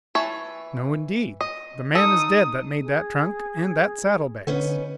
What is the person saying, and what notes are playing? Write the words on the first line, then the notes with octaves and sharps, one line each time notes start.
"No indeed; the man is dead that made that trunk and that saddle-bags."
E3 C#5 A5
D#5
D#4 A4 D#6
G#4
D3 B3 C#4 D#4